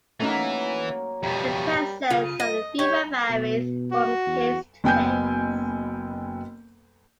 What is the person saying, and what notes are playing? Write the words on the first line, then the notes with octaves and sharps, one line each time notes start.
The presence of a fever varies from case to case.
E3 F#3 A3 A#3 C#4 D#4
F2 B2 G3 A#5
C#3 F4
D#5
G4 C#5 D#5
B2
F#4
E2
F#1 B3 G5 G#5 G6